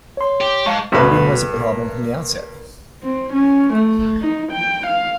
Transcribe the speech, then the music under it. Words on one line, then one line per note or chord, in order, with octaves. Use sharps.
Funding was a problem from the outset.
C#5 C6
G4
G#2 F5 A5 C#6
D2 G2 B2 B4
A#3
C4
C#4
A3
D#4
G5
F5